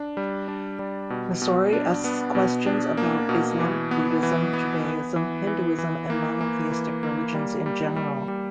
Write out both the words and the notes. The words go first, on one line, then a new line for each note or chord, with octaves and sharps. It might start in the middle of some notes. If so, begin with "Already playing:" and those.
Messori asks questions about Islam, Buddhism, Judaism, Hinduism, and monotheistic religions in general.
Already playing: D4
G3
D4
G3
B2
B2
D4
B3
B2
D4
A#3
B2
E3
B3
E3
B3
B3
E3
E3
E3
A#3
A#3
E3
A#3
G3
G3
G3
G3